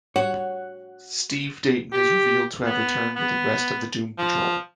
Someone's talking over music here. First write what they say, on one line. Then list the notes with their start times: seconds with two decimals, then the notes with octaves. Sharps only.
Steve Dayton is revealed to have returned with the rest of the Doom Patrol.
0.16 F#4 C#5 F#5
1.93 G4
2.66 B3
3.16 B3
4.18 F3